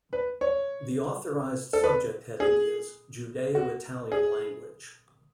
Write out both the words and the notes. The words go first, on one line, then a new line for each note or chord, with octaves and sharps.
The authorized subject heading is "Judeo-Italian language".
B4
C#5
A4
B4
G#4
F#4
G#4